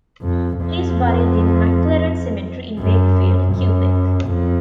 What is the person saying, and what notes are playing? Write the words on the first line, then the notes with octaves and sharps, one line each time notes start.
He is buried in Maclaren Cemetery in Wakefield, Quebec.
F2
F2
F#2
F#2
F2